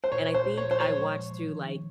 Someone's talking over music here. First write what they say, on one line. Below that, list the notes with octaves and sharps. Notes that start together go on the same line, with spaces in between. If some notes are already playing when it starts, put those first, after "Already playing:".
and I think I watched through, like,
C5
A#2 C#5
A#2
C5
A#2
C#5
F3
C5
F3 C#5
G#3
A#2
F3
D#3
D#4